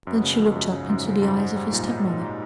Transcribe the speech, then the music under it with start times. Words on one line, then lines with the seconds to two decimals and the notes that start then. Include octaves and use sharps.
Then she looked up into the eyes of her step-mother.
0.06 F#2 B2
0.24 C#3
0.39 F3
0.55 F#2
0.72 G#2 C#3
0.89 F#2
1.06 C#3
1.22 F#2
1.38 D#4
1.56 G3
1.73 A#2
1.88 D#4
2.05 A#2
2.22 D#4